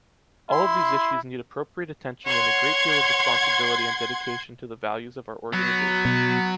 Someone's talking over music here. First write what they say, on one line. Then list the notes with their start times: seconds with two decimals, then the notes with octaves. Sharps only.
All of these issues need appropriate attention and a great deal of responsibility and dedication to the values of our Organization.
0.51 E4 C6
2.26 C#5 F#5 C6 G#6
5.53 F#3 B3
6.05 B2